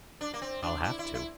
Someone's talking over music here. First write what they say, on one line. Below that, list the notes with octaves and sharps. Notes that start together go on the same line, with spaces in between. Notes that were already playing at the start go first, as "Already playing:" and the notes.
I'll have to.
D4
A#3
C4
D4
E4
E4
E4